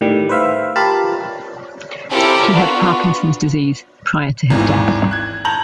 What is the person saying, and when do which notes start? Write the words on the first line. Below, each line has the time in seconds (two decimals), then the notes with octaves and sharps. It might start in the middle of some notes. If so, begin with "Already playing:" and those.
He had Parkinson's disease prior to his death.
0.01 A2 D#3 G3
0.29 B4 C5 E5 F5
0.76 F4 G4 A#4 F5 A5 B5
2.11 C4 E4 F4 G4 A4 A#4
2.52 B3 D4 F4 F#4
4.50 G#1 D#2 D#3 E3
5.11 F#6 G#6
5.45 A5 A#5 G6 F#7